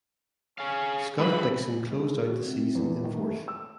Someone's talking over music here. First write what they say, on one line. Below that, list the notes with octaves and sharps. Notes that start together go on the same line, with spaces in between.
Scott Dixon closed out the season in fourth.
C#4 G#4 F5
G2 G#3 F4 B4 E5 B5
G#3
F#4
C3
E2
D#3
A3
E6